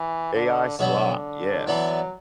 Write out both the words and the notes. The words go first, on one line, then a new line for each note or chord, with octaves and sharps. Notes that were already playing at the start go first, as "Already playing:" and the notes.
AI slop, yes.
Already playing: E3
D3
B2 D3 F#3 B3
E3 F#3 B3 D4